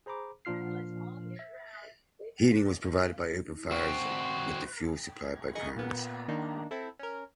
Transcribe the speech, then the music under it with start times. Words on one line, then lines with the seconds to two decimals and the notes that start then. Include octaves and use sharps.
Heating was provided by open fires with the fuel supplied by parents.
0.06 G#4 C5 A#5 B5 D6
0.45 A#2 F3 D4 F4 F6 C7
1.39 E5
3.71 C4 F#4
5.55 G#4 D#5 C#6
5.76 A#2 A#3 B3
6.28 D#3 A#3 D4 D#4
6.71 C4 E4 A4
6.99 C#4 A#4